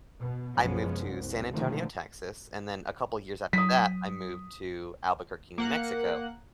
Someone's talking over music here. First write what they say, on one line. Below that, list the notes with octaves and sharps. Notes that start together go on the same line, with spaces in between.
I moved to San Antonio, Texas, and then a couple years after that, I moved to Albuquerque, New Mexico.
B2
B1 F#2 F3 G#3 B3 C#4
C2
B2 D3 D#3 F3 G#3 A3
F#3 D#6 B6
A#3 F#5 F#6